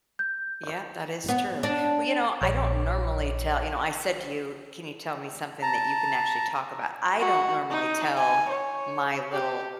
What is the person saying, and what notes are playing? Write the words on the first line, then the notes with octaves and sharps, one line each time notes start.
Yep, that is true. Well, you know, I don't normally tell you know, I said to you, "Can you tell me something that you can actually talk about?" I don't normally tell my little
G6
B3
D4
A#1 C#5 D6
A5 A#5
F#4
D#4
G#5
C#5
G4